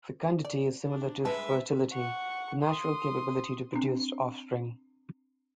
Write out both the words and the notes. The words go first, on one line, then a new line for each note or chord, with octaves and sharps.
Fecundity is similar to fertility, the natural capability to produce offspring.
D5
D4
G#3 B4 E5 A5
F#5 C#6
C6 D#6
C4 D4